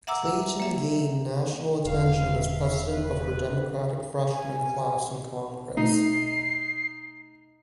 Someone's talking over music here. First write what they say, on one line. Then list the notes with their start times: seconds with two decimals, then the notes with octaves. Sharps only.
Clayton gained national attention as president of her Democratic freshman class in Congress.
0.07 E5 F#5 A#5 D6 E6
0.60 A#3 E5
1.85 E1 C#2 D3 F5
2.35 E5 F5
2.92 D#2 B4
4.31 G#5
5.77 B2 A3 D#4 C7